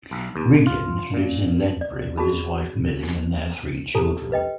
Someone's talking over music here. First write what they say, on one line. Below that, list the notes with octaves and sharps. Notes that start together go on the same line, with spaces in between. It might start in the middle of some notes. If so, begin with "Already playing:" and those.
Wiggin lives in Ledbury with wife Milly and their three children.
B1
D#2
F4
A#2
D5
F#4 G#4 A5 B5
G4 A4 A5 A#5
B4 D#5 G5